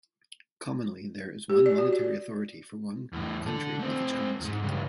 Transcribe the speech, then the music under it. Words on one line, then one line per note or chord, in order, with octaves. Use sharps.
Commonly, there is one monetary authority for one country with its currency.
G4
D5
F#4
D5
E2 A2
D3 A4
A3 C4
E2 G#2
C#2 G2